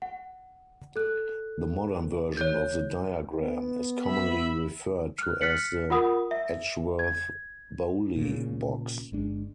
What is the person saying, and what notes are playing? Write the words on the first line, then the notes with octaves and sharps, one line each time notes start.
The modern version of the diagram is commonly referred to as the Edgeworth-Bowley box.
F#5
A4 F#6
C#5 G6
B3
E5 B5
F6 F#6
F6 F#6 A6 B6 C#7 F#7
F4 A#4 F#5 B5 D#6
E5
G#6
A#2 C#3
G1 G#3 D4